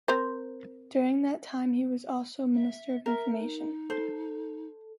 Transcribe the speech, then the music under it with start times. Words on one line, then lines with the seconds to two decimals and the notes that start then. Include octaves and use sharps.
During that time he was also Minister of Information.
0.08 C4 A#4 C5
2.53 E5
3.06 A#4 E5
3.39 D#4
3.90 A4 C5